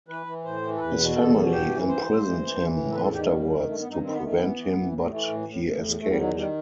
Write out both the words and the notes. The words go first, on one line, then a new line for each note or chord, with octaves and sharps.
His family imprisoned him afterwards to prevent him but he escaped.
E3 B4
E3
A2 C5
E3
A4
E2 B4
B2
E2 A4
B2
G2 G4
E3
G2 C5
G2
E3
E3
E3
A2
A4
E2 B4
A4
D#3 G4
A3
E2 G3
D#3
G2 A3
B3
G2
D#4
D#3 C4
B3
D#3 A3
E3 B3
E3
E3
A2
G3
E3 A3
A2
A2
A2
E2
E2 A3
G3
D#3 F#3
D#3 G3